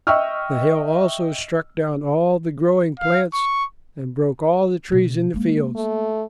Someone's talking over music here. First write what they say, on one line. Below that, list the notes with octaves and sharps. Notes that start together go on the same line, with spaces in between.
The hail also struck down all the growing plants and broke all the trees in the fields.
D#5 E5 G5 C#6 E6 F6
F5
C#6
B2 A3
G#3 A#3
A3